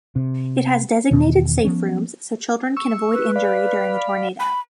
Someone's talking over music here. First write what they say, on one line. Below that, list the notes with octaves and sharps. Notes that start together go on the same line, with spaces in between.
It has designated safe rooms so children can avoid injury during a tornado.
C3
E2 B2 D#3
F3 B3 C#4
C#6 E6
B4
D5 F5 B5
B5